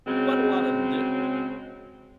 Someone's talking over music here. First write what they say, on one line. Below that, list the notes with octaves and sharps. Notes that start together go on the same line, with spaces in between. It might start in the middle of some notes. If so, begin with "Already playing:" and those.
but a lot of 'em didn't,
C#3 F#3 G#3 C4